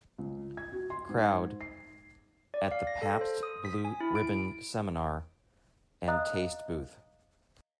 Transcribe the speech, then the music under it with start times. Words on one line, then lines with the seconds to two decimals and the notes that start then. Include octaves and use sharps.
Crowd at the Pabst Blue Ribbon seminar and taste booth.
0.18 C#2
0.57 G#6
0.72 F#4
0.90 C6
1.09 G#2
1.61 C7
2.54 D5
2.71 F5
2.87 A#6
3.02 A4
3.21 C5
3.43 D#6
3.65 B6
3.85 G#5
4.00 E4
4.15 D7
6.08 D#5 F5 A#5 D#6 F#6